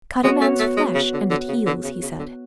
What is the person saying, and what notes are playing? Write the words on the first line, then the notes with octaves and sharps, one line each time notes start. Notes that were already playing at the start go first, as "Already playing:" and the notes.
"Cut a man's flesh and it heals," he said.
G#3 B3 F#4 C#5
A3
A3
G#3
C#3
D3
D3
C#3
D3
C#3
C#3
D3